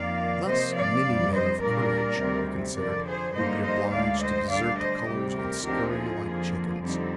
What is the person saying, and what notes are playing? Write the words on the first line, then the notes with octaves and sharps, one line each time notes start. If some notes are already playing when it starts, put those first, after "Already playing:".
Thus, many men of courage, he considered, would be obliged to desert the colors and scurry like chickens.
Already playing: F2 D#3 A#3 D5 F5
C3 F3 A#3 C5 D#5
D5 F5
F2 C3 G3 D4
C5 D#5
A#2 G3 A#3 D4 A#4 D5
D2 C3 D#3 G3 C4
F2 D3 F3 A#4 D5
G#4 C5
G2 D3 G3 A#3 D#4 C5 D#5
C5 D#5
D2 D3 G#3 D5 F5
C5 D#5
D2 D3 G3 D4 D5 F5
C5 D#5
D2 C3 G3 C4 G4
G4 A#4
D2 D3 F3 C4 D#4 G4 A#4
F4 G#4
F2 D3 F3 A#3
F2 D3 G3 C4 D#4